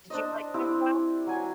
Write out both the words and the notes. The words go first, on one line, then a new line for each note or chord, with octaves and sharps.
Did you like gym class?
D4 C5 D#5
C4 E4 G4
F#3 G#5